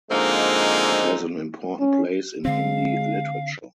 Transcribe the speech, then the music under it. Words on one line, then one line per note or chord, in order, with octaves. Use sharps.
It has an important place in Hindi literature.
D3 F3 G#3 A#3 C4 D#4
C#4
D3 G#3 C4 F5